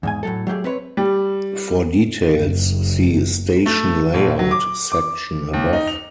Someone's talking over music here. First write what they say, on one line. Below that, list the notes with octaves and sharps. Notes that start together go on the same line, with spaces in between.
For details, see "Station layout" section above.
E2 G#2 G#5
A2 F#3 A4
F#3 A3 G4 G#4
C4 B4 C#5
G3
F#1
A3
A#1
F#3
D6
D6
D#2
D#4
F7